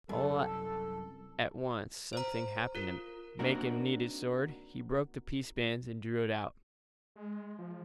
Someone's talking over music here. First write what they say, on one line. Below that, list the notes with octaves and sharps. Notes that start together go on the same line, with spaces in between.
If all at once something happened to make him need his sword, he broke the peace-bands and drew it out.
C2 F#2 A4
C5 A#5
F4 A#4
A#3 C4 D4 D#4 F#4 A#4
G#3
F3